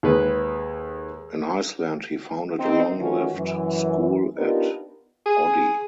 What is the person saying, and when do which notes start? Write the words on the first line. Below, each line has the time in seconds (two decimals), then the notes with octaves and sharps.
In Iceland he founded a long-lived school at Oddi.
0.03 D#2 G#3 B4
2.59 C4 D#4
2.98 D#3 E3 A3 C#4 F4 F#4
3.35 F#2 E3
4.37 B3 D4 D#4 F4 G4 A#4
5.26 G#4